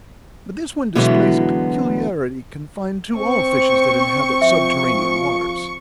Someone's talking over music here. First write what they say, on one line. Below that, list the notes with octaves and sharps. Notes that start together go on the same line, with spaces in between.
But this one displays a peculiarity confined to all fishes that inhabit subterranean waters.
B2 D3 E3 F#3 G#3 B3
C4 C5 C#6
F3 F4 E5